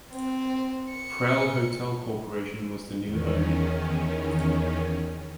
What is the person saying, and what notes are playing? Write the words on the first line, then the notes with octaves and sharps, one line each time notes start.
Prell Hotel Corporation was the new owner.
C4
C#7
E2 D#3 C#4